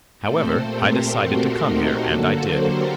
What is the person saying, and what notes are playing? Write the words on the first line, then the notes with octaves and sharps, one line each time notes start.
However, I decided to come here, and I did.
A#2 A3 C4 A4 C5
G4 A#4
F#4 A4
D#4 G4
D3 F#3 A#3 F#4 A4
A4 C5
G4 A#4